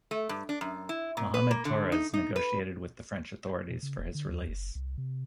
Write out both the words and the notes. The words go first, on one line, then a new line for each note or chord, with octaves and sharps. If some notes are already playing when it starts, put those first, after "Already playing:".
Muhammad Torres negotiated with the French authorities for his release.
A3
G2
D4
F#2
E4
A#2
B4
A#3
D3
D#4
D#4
B4
B2
C#3
E1
D3
D#2
F#1
C2
C3